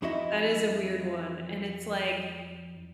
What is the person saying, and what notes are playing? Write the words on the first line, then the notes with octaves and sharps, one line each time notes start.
That is a weird one, and it's like,
F2 D#4 E4 F#4 D#5 E5